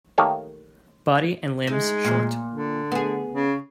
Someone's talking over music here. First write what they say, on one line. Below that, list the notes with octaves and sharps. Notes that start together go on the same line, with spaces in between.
Body and limbs short.
D#3 A3 A#3 G4 A4 C#5
G#3 D#4
A#2
D3
B3 G#4
C#3